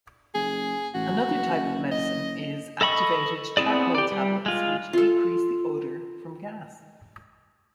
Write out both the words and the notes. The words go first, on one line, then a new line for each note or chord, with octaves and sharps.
Another type of medicine is activated charcoal tablets which decrease the odor from gas.
F#1 G#4
A1 F#4
F#1
D#5
A4 D#5 B5 C#6
B3 C4 E4 G#4 D5
G4 D5
G3
G#3 F4
F4 A4